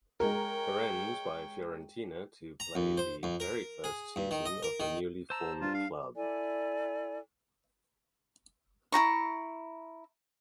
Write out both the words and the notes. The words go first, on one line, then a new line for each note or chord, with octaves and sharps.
Firenze by Fiorentina to play the very first season of the newly formed club.
G#3 A#4 C#5 G5
A#5
F2
C5
F2
A#4
G#4
G2
D#3
D#5
A#4
D#3
C5 A5 A#5 E6
G2 F4
D4 F5
E4 A4 D5 G#5
E4 F#4 A#5 C#6